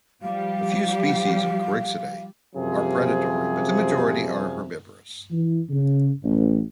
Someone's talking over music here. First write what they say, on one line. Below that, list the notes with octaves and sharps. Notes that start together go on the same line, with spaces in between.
A few species of Corixidae are predatory, but the majority are herbivorous.
F3 G3 G4 F5
F#2 C3 F3 G3 G#4
E3
C#3
A1